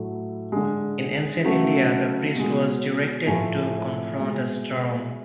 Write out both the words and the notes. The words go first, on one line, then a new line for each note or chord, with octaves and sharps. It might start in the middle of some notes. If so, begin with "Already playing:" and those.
In ancient India, the priest was directed to confront a storm.
Already playing: A2 F#3 A3
D3 G#3
C#3 F#3 A3
B2 G#3
A2 F3 A3 G#5
B2 G#3